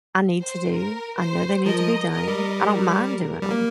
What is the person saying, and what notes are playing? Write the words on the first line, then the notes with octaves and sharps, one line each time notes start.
I need to do, I know they need to be done, I don't mind doing 'em,
C5
A#4
C5
F3 A#4 D#5
A#4 D#5
G3
A#4
A#4
G3
A#3